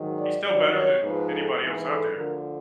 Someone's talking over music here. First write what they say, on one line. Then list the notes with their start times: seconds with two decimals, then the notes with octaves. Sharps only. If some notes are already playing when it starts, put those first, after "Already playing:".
He's still better than anybody else out there,
Already playing: G#2 D#3 F#3
0.19 D5
0.46 G2 D#3 F#3 D5
0.75 C#5
1.02 G#2 F3 B4
1.30 A4
1.59 G#2 E3
1.87 A4
2.15 D2 D3 F3 A#4